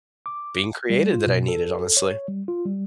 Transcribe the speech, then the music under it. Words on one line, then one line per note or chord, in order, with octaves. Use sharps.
being created, that I needed, honestly.
D6
G3
F4
B2
A4
C#5
G3
F4
G3